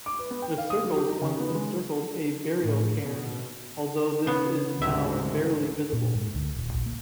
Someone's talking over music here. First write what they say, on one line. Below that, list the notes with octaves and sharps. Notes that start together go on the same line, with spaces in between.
The circles once encircled a burial cairn although this is now barely visible.
D6
B4
B3
G5
F5
D#6
F#3
G4
D#4
C#3
B3
G#3
A2
B2
C#3 B3
D2 G#2 C3 E5
A#2
G#2
D2
D#1
A#1
A#3